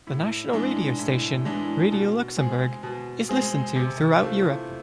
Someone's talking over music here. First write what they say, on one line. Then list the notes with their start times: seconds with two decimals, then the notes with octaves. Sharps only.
The national radio station, Radio Luxembourg, is listened to throughout Europe.
0.07 A2
0.53 E3 G#3 D4
0.99 A2
1.45 E3 G#3 D4
1.92 B2
2.37 G#3 C4 G#4
2.83 B2
3.29 G#3 C4 G#4
3.76 C3
4.22 E3 A3 C4 F4